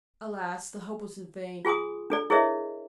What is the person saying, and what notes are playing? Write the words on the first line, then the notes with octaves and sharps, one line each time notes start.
Alas! the hope was vain.
F4 G#4 G#5 C6 D#6
D4 A4 D5
E4 G#4 A#4 C#5 D#5 E5